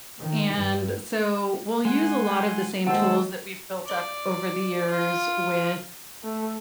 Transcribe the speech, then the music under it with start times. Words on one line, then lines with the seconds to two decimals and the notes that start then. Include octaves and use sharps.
and so we'll use a lot of the same tools that we've built up over the years with,
0.21 D#3
0.55 G2
1.85 G#3 F#5 G#5 C6
2.87 D#2 G#3 A4 C5 F#5 A5 E6
3.86 D5
4.89 F4
6.24 A3